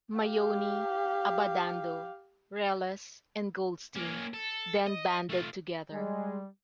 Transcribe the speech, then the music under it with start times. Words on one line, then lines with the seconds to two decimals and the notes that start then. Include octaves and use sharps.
Maione, Abbandando, Reles, and Goldstein then banded together.
0.19 G4 F5
3.96 A#3 C#4
4.34 A4
4.86 D#5
5.29 A3 F4
5.92 G3 G#3